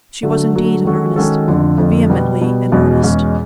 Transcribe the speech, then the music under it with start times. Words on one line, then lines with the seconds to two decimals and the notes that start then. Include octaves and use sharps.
She was indeed in earnest--vehemently in earnest.
0.23 D3 F#3 A3
0.54 D3 F#3 A3
0.85 D#3 G#3 C#4 F#4 A4
1.16 D#3 G#3 C#4 F#4 A4
1.48 F2 D3 F3 A3
1.78 F2 D3 F3 A3
2.10 B2 G3 B3
2.41 B2 G3 B3
2.72 E2 B2 G#3 C#4 F#4
3.03 E2 B2 G#3 C#4 F#4